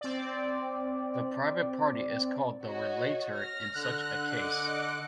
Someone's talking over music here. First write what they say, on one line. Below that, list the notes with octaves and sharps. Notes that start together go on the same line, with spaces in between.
The private party is called the "relator" in such a case.
C4 D5
F#4 C#5 D#5
F6 A#6
D3 F#6
D#5 D6 C#7